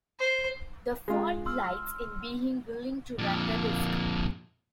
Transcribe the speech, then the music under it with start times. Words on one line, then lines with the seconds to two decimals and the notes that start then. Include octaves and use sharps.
The fault lies in being willing to run the risk.
0.19 C5
1.08 G#3 F4
1.46 C6 E6 F6
3.18 F2 A#2